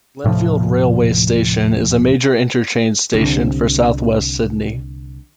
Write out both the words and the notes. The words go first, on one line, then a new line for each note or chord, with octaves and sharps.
Glenfield railway station is a major interchange station for South-West Sydney.
D#1 A2 C3 F3
C2 D3